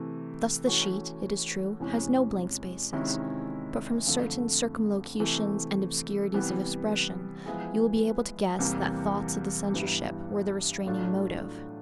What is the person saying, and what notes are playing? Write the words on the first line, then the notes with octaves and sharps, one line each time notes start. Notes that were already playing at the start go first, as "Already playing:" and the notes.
Thus the sheet, it is true, has no blank spaces, but from certain circumlocutions and obscurities of expression you will be able to guess that thoughts of the censorship were the restraining motive.
Already playing: C3 E3 A3
E3 A3 C#4 F#4
E2 C3 E3 G#3 C#4
C3 D#3 G#3 C#4 E4
F2 D3 F3 A3
C3 E3 A3
C3 E3 G3 B3
F3 G#3 B3 E4 G#4
E2 C3 E3 G3 A#3
G2 E3 G3 B3 E4
A2 F#3 A3 D4 F4